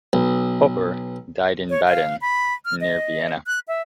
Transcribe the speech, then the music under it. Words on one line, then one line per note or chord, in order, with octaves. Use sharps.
Popper died in Baden, near Vienna.
B1
C#5
F5
B5
F6
D#5
F#6
E5